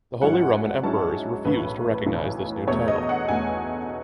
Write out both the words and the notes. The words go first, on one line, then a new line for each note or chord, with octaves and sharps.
The Holy Roman emperors refused to recognise this new title.
G#2 F#3 C#4 E4 F#5
G#2 F#3 C#4 E4 A5
B1 A2 E3 B4
B1 A2 E3
E2 B2 A3 C#5
D#5
F#5
E2 B2 A3 G#5